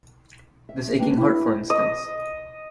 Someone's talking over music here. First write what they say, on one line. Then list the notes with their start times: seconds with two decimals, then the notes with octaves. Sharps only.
This aching heart, for instance.
0.69 E5
0.99 A#3 D4 B4 G5
1.18 E4
1.70 D#5